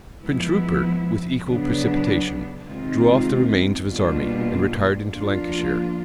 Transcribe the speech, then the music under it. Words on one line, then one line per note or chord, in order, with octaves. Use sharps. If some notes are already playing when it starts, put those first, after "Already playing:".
Prince Rupert, with equal precipitation, drew off the remains of his army, and retired into Lancashire.
F3 G#3 B3 E4
C#3 F#3 B3 D4
C3 D#3 G#3 C4 F4
B2 G3 A#3 D4 F4
F3 A#3 D4 F4